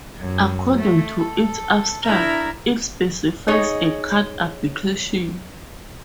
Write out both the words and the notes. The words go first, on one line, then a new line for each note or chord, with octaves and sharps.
According to its abstract, it specifies a card application.
F#2
A3
A4
D4 E4 A#4 E5 A#5
D#4 G#4 C#5 D#5